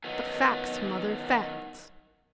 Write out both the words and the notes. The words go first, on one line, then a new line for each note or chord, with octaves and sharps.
"But facts, mother, facts!"
D#3 F#3 B3